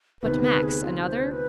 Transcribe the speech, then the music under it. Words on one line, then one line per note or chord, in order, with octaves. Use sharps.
'But, Max, another?
D2 C3 D#3 B3 B4
B4
G#4
F4
C5
B4